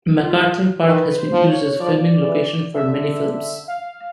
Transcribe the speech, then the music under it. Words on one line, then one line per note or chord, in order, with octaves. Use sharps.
MacArthur Park has been used as a filming location for many films.
F4
E4
F4
D#3 B4
B4
C5
F3
C#5
F3 D5
E3
D3 E5
F5